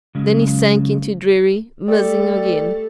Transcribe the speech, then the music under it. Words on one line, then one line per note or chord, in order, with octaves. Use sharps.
Then he sank into dreary musing again.
C#3 F#3 G#3 C#4
G3 A3 A4